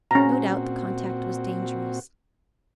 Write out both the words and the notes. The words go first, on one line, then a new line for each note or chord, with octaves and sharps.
No doubt the contact was dangerous.
A#2 C4 C#4 F#4 A#5